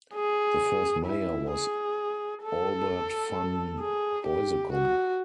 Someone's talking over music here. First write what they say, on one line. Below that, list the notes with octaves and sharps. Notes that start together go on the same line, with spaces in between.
The first mayor was Albert Van Beusekom.
G#4
E4
G#4
A4
G#4
G4
F#4